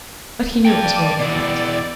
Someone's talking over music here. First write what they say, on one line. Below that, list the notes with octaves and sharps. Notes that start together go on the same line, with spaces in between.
But he knew it was more than that.
D5 G5 A5
B2 E3